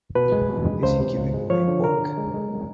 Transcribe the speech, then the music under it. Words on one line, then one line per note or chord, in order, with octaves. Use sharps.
Is he giving away a book?
B2 B4
G#3
B2
G#3
C#2 C5
C3
C#2
G#3
F3 C#5
D3
D3 A#4
D3
G#3
G#3